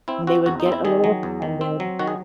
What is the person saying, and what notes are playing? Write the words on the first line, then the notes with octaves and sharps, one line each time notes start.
And they would get a little offended.
C4 E4
C4 F#4
E2 F#4
D#4
C4
E4
D#3 G#4
F#3
E2
D#3
C4
F#3
D#3 F#4
G#4